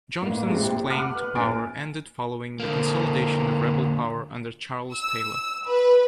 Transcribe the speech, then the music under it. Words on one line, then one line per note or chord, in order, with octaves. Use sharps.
Johnson's claim to power ended following the consolidation of rebel power under Charles Taylor.
A1 A#3
A#1 C3 G#3
G4
F#5 B5 D6 F6 F#6
B4
A#1 G#5 A6 D7
D3 A#3
E6
B4